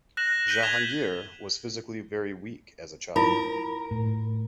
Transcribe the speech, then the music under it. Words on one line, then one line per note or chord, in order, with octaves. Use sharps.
Jahangir was physically very weak as a child.
F#6 A#6 E7 F#7
G6 B6 D#7 F#7 G7
F#6 G#6 B6 E7 F7 G7
E4 F4 A#4 B5
A2